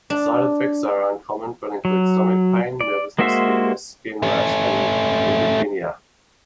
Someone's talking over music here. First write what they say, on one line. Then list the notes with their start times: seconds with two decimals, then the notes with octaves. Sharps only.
Side effects are uncommon but include stomach pain, nervousness, giddiness, skin rash and leukopenia.
0.10 D4
1.85 F#3
2.81 D5
3.18 G#3 A#3 F#4 C5 E5
4.23 A3 C#4